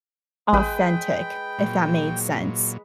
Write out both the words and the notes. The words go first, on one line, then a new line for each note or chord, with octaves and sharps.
authentic if that made sense.
A1 G#3 B4 G5
A#2 F#3